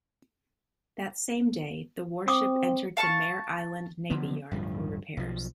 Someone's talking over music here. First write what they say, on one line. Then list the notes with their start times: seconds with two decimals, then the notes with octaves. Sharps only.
That same day, the warship entered the Mare Island Navy Yard for repairs.
2.28 C4 D6 D#6
2.97 F5 A5 C6 C#6
4.10 D3 F3 F#3 B3
4.51 D1 G2 F3
5.17 B1 F3